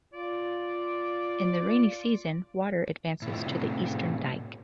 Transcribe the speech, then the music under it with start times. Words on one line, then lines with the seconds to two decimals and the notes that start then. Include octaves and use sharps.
In the rainy season, water advances to the eastern dike.
0.13 F4 D5
3.22 A2 C3